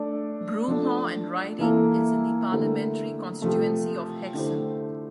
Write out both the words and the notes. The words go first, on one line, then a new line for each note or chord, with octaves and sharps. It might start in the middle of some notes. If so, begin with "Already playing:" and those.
Broomhaugh and Riding is in the parliamentary constituency of Hexham.
Already playing: A3 D4 A4 D5
F3 A3 D4 A4
E3 A#3 E4 A4
D3 A3 E4 G4 A#4
C3 F3 A3
D3 A3 E4 G4 C5